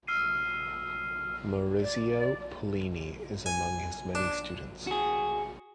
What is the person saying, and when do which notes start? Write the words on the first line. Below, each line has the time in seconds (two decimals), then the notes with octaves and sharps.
Maurizio Pollini is among his many students.
0.07 E6 F6 C7 D#7
1.81 D5
3.46 G#5
4.15 D4
4.87 F#4 G#4